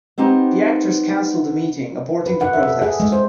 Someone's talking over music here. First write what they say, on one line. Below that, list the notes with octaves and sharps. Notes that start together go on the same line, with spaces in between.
The actors cancelled the meeting, aborting the protest.
B3 C4 D#4 G4
B4
F#5
E5
A4
G#4
G#3
C5